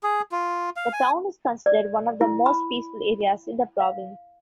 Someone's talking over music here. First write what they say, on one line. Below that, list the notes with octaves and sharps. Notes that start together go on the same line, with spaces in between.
The town is considered one of the most peaceful areas in the province.
G#4
F4
F5
G#5
D5
E4
B5
F5